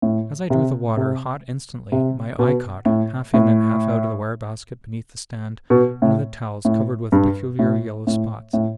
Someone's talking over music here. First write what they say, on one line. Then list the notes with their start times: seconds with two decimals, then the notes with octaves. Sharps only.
As I drew the water, hot instantly, my eye caught, half in and half out of the wire basket beneath the stand, one of the towels covered with peculiar yellow spots.
0.02 A2
0.50 C3
0.97 C3
1.92 C3
2.39 B2
2.86 A2
3.34 A2
5.70 B2
6.02 A2
6.65 A2
7.12 G2
7.59 A2
8.07 A2
8.53 A2